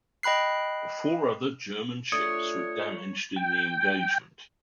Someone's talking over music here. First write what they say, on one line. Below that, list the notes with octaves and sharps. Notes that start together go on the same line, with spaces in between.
Four other German ships were damaged in the engagement.
D#5 G5 B5 F#6 C7
A3 D4 F4 C#5 D#6
G5